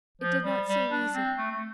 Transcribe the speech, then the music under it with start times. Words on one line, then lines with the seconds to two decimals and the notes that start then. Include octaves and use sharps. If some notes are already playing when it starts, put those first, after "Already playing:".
It did not seem easy.
0.21 F3
0.44 G3
0.68 G3
0.92 D4
1.15 C4
1.38 A3
1.51 A3